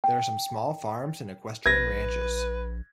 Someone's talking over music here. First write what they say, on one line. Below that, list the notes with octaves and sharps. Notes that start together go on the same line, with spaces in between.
There are some small farms and equestrian ranches.
G5
A#1 B4 G#6 A#6